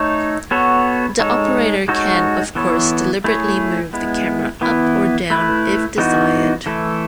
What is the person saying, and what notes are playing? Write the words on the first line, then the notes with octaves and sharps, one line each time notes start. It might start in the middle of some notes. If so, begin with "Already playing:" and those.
The operator can of course deliberately move the camera up or down, if desired.
Already playing: A3 D#4 A4 C#5
B3 F#4 A4 C#5
G#3 D#4 A4 C#5
G#3 D#4 F#4 A4 C#5
E3 B3 E4 A4 C#5
A3 E4 G#4 C#5
G#3 B3 E4
E3 B3 E4
A3 E4 B4
E3 B3 D#4 F#4
E3 A3 E4 A4